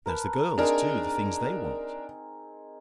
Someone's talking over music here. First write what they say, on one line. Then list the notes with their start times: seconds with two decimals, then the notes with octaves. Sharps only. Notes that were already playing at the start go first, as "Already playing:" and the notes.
There's the girls, too--the things they want!
0.06 A#4 B4 A5
0.58 C4 D4 D#4 G#4 A#4